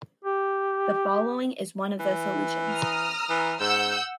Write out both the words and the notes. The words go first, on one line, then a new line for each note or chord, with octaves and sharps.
The following is one of the solutions.
G4
E3
A#5 D#6 F6
E3
G#2 F#5 E6 G6